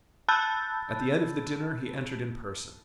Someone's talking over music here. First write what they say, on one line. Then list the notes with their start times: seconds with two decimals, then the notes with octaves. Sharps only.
At the end of the dinner he entered in person.
0.29 A5 B5 E6 F#6 G6 A6